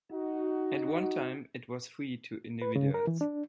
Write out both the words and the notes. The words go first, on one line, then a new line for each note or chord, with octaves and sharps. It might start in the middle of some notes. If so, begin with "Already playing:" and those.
At one time it was free to individuals.
D#4 F#4
B4
C#3
A#4
E3
D4